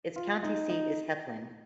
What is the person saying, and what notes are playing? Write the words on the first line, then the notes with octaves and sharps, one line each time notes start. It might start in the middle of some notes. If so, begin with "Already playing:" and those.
Its county seat is Heflin.
F4
D#4
D#4